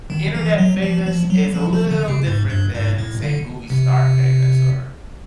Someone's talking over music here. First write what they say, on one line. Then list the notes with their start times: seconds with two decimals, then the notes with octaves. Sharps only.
Internet famous is a little different than, say, movie star famous or
0.10 D#3
0.35 E3
0.58 F#3
0.82 F3
1.06 F3
1.30 F#3
1.54 F3
1.73 F3
1.91 D3
2.08 C#3
2.27 G#2
2.50 G2
2.75 G#2
2.98 A2
3.23 D3
3.70 C3